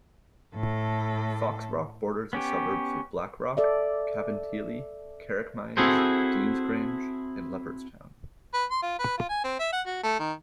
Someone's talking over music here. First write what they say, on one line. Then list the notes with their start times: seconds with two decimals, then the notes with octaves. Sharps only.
Foxrock borders the suburbs of Blackrock, Cabinteely, Carrickmines, Deansgrange and Leopardstown.
0.55 A2 A4
2.33 B3 C#4 G4
3.57 A4 D5 E5
5.77 C4 E4 F#4 G#4 A4 C5
8.54 B4
8.71 C6
8.82 F4
8.99 B4
9.18 F4
9.29 G#5
9.44 C4
9.59 E5
9.73 F#5
9.86 F#4
10.03 A3
10.19 D#3